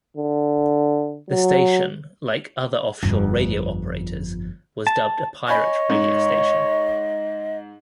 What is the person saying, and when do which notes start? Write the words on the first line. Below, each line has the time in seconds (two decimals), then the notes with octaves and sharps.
The station, like other offshore radio operators, was dubbed a pirate radio station.
0.17 D3
1.29 F#3
3.03 G1 F2
4.87 A5
5.48 C#5 D#5 G#5 B5
5.90 G#2